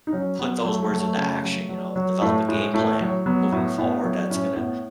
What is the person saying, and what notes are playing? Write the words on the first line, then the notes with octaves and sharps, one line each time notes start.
put those words into action, you know, develop a game plan moving forward that's gonna
D#4
F#3 C#4
F#3 B3
F#3 A3
A3
F#3
A3
C#3
F#3
F#3
F#3
A2 A3
A2 G#3
A2 A3
F#3
F#3 B3
A2 B3
A2 B3
F#3
A2 C#4
A2 B3